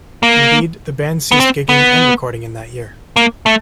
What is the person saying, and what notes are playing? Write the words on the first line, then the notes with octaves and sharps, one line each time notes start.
Indeed, the band ceased gigging and recording in that year.
A#3
B3
C4
B3
A#3
A3